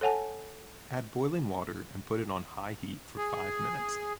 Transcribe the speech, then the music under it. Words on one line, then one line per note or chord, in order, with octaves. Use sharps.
Add boiling water and put on high heat for five minutes.
A4 C#5 F#5 G#5 A5
G#4